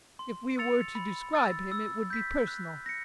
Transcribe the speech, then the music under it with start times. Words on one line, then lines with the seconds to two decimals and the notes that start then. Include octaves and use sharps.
If we were to describe him it would be personal.
0.19 C6
0.58 E6 A6 C#7 F7
0.95 B5
1.33 E6 A6
1.72 E6
2.10 G6 B6
2.48 F#6
2.86 A#6 C#7